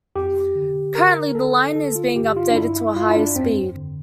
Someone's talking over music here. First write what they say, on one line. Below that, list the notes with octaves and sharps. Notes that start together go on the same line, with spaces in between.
Currently the line is being updated to the higher speed.
F2 G4
D3
D3 A#4
D3 A4
D3 A4
F4
G2 G4
F4
D4
G2 E4
E4
G2 F4
E4
D4
F2 C4
D3